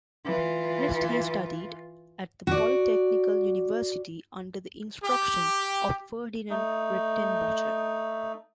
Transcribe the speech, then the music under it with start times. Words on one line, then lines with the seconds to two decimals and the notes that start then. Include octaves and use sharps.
Next he studied at the Poly-Technical University under the instruction of Ferdinand Redtenbacher.
0.25 E3 F4
2.47 F#4 D5
5.03 G4
6.50 A3 D#4